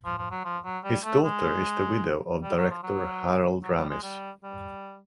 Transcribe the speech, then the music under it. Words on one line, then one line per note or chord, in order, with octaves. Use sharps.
His daughter is the widow of director Harold Ramis.
F3
F3
F#3
F3
F#3
G3
A3
G#3
G3
F#3
F3
F#3
F#3
G3
G#3
G3
G3